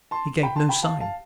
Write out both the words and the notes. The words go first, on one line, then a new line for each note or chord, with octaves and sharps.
He gave no sign.
A5 C6
G5 B5
A5 C6
G5 B5
F5 A5
F5 A5